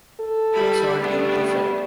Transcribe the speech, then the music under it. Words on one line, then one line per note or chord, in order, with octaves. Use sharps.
It's all deeply felt.
A4
G3 E4 B5
G3 A3 B3 D4